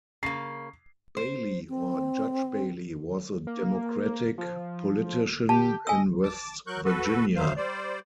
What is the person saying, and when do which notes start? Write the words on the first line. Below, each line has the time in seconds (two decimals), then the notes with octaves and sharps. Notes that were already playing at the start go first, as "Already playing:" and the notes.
Bailey or "Judge Bailey," was a Democratic politician in West Virginia.
0.23 C#3 A#3 C7
1.17 C5
1.69 C4
3.47 A#3
4.38 F3
5.49 G4 A5
5.87 D#5 G#5 E6
6.23 A5 D6
6.67 F#3 A#4 C#6 F#6 G6
6.85 F#4 A4 B4
7.36 F#3 A3 C5 F5
7.57 G3 C5 D5